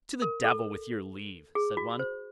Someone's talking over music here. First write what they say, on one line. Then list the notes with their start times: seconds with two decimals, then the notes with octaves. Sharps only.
'To the devil with your leave', said one.
0.22 A#4
0.44 A4
1.55 G#4
1.77 F#4
1.99 C5